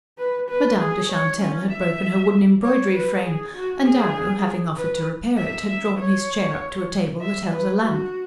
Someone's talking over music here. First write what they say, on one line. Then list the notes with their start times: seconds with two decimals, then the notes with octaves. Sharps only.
Madame de Chantelle had broken her wooden embroidery frame, and Darrow, having offered to repair it, had drawn his chair up to a table that held a lamp.
0.18 B4
0.49 B4
0.80 G#4
1.10 C#5
1.41 C#4
1.71 E5
2.63 C#5
2.94 B4
3.24 G#4
3.55 F#4
3.85 G#4
4.76 B4
5.38 E5
5.68 E5
5.99 C#5
7.21 E5
7.51 B4
7.82 F#4